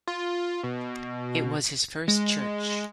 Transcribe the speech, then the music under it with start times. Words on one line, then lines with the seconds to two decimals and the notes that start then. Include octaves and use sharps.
It was his first church.
0.07 F4
0.63 B2
2.08 G#3